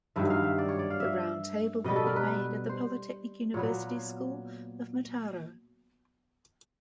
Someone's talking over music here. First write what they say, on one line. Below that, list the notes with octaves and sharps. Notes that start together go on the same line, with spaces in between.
The round table will be made at the Polytechnic University School of Mataró.
G2 D#3 F#3 E5
F5
E5
D5
C#5
D5
F5
E5
B2 G3 B3 D#5
A4
A#4
B4
C5
A#2 F#3 B3 C#5